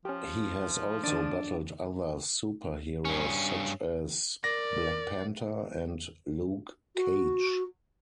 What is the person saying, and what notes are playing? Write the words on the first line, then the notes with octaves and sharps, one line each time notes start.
He has also battled other super-heroes such as Black Panther and Luke Cage.
F3 C#4 G4
D#3 D4 D#7
G2 C#4
A#4 D5 A#6
F#4